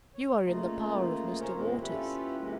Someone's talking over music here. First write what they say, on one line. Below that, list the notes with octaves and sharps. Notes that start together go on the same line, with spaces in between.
"You are in the power of Mr. Waters."
C#5
C#3 A3 A#3 D#4 F4
C#4 D#4 F4 A#4 C5 C#5
E2 A#2 G#3 A#3 C4
C#4 E4 F4 G4 A4 B4
C3 E3 G#3 A#3